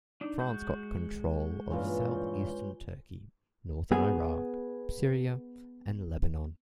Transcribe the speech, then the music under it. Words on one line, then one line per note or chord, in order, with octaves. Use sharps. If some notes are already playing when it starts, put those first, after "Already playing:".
France got control of southeastern Turkey, northern Iraq, Syria and Lebanon.
D4 D#4
G#3 F#4 G6
G2 A#2 E3 C#4 F4 B4
B3 G#4